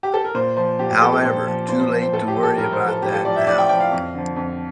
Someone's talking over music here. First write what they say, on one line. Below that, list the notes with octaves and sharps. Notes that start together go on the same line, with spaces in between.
However, too late to worry about that now.
G4
A4
A#4
A#2 C5
F3 C5
A#2 G4
G4
F3 A4
A4
A#2 C5
F3
A#2 C5
C5
F3
C5
A2 A4
G4
F3
A4
A2 A#4
C5
F3
A4
A2 G4
A4
F3 D5
E5
A2 D5
G5
F3 G5
F5
F2
D3 F3
F2